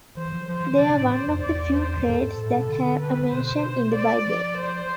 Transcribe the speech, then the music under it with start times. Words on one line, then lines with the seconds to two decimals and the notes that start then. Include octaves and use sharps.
They are one of the few trades that have a mention in the Bible.
0.17 E3 C5
0.32 F3
0.48 F3 C5
0.64 E3
0.74 D3
0.79 C3 D5
0.96 A2
1.11 C5
1.27 F2
1.42 E2 D5
1.74 C5
2.06 G#2 A4
2.37 A2 A4
2.53 B2
2.69 D3
3.00 B4
3.32 B2 C5
3.95 D5
4.26 F3
4.58 C5